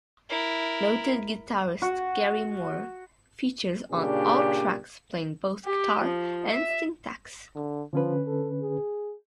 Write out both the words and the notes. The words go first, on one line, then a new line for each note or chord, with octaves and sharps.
Noted guitarist Gary Moore features on all tracks playing both guitar and synthaxe.
E4 A#4
F#4
A#2 C#3 D4 G4
G4
F3
E5
D3
D3 F3 C#4 B4
A4
G#4